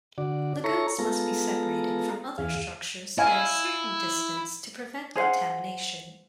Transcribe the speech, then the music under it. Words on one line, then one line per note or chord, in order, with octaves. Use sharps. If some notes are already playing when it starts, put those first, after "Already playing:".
Lagoons must be separated from other structures by a certain distance to prevent contamination.
D3 F#4 D5
E4 A4 C#5 A#5 C#6
G#3 B3 F4 A4 A#5
E2 G#4 F5
E4 D#5 F5 G#5
G#4 C5 F5 F#5